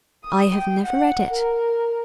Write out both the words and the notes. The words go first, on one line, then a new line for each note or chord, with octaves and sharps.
"I have never read it."
D#6
G5
F#5
A#4